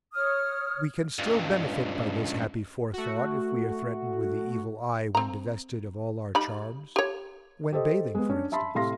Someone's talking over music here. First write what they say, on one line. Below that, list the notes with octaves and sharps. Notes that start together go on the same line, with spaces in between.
We can still benefit by this happy forethought if we are threatened with the evil eye when divested of all our charms--when bathing for instance.
C#5 D#6 F6
C#2 G2
A3 F#4
C4 A#5
G3 D#4 B5
G4 C#5
G4 A4 C5 D#5
G#3 B3
C#4 D4
E5 A5 B5 C6
A2 C3 F5 C6 A#6